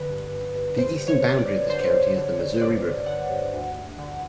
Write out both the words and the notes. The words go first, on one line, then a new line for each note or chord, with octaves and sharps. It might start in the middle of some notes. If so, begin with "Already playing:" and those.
The eastern boundary of this county is the Missouri River.
Already playing: D3 B4
G2
G2
G2
G2 C5
G2
C#5
G2
D5
G2
D3 C5
G2
C5
D3
G2
G2 D5
G2
D3 F#5
G2
D2
D2
D3